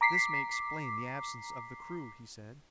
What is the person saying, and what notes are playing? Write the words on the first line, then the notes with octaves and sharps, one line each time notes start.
"This may explain the absence of the crew," he said.
A#5 D6 B6 C7